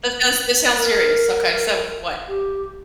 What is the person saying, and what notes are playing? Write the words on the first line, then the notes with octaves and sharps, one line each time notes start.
That sounds that sounds serious. Okay. So what?
A#4
G4